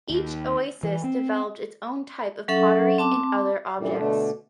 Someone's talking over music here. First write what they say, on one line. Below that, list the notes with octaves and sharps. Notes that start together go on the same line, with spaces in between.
Each oasis developed its own types of pottery and other objects.
D#2
E3
C4
F#3 C#4 A4 E5 F#5
C4 A5 D6
F5
F#2 A#2 D3 E3 G3
B2 D3 A3 D4